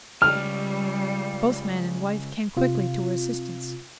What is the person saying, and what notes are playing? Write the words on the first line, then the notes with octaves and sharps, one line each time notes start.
Both man and wife came quickly to her assistance.
C#2 C#3 G3 F6
C3 F4